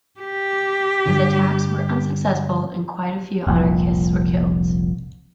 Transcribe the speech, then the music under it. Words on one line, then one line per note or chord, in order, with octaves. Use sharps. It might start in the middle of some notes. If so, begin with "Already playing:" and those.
These attacks were unsuccessful and quite a few anarchists were killed.
G4
G2 D3
F1 C2 A#2 F3